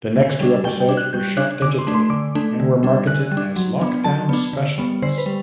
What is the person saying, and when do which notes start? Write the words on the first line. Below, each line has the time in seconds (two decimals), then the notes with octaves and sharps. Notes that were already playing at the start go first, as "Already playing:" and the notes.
Next two episodes were shot digitally and were marketed as lockdown specials.
0.16 D3
0.40 G3 D4
0.64 G3 G5
0.80 G5
0.89 D4
0.97 F#6
1.13 G3 G6
1.37 D4 F#6
1.62 D3 D6
1.79 C6
1.87 A3 D4
1.94 C6
2.10 D3 D6
2.35 A3 D4
2.60 D3
2.83 G3 D4
3.07 D3 F#6
3.31 G3
3.37 D4
3.56 F#3
3.81 B3 D4
4.04 F#3 A5
4.29 B3 D4
4.53 D3
4.78 G3 B3
5.02 D3 C5
5.18 B4
5.26 G3